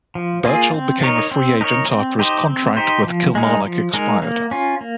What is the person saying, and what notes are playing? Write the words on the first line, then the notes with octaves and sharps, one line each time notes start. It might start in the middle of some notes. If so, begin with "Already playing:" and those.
Burchill became a free agent after his contract with Kilmarnock expired.
F3
A#3 F4 G#4
C4
D#4 A#4 C#5
C4
D#4 A#4 C#5
C4
D#4 G4 C5
C4
D#4 G4 C5
F3
G#3 D#4 A#4
F3
G#3 D#4 A#4
A#3
C#4 F4
A#3